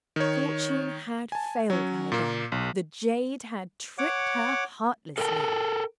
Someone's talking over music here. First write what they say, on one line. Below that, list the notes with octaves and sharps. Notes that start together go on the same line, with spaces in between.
Fortune had failed her, then, the jade had tricked her heartlessly.
D#3 C#5
G#5 A5
F#3 C#4
A#2 A#3
B1
C#5 F#5 D6
A4 A#4 D5 F#5 G5 A5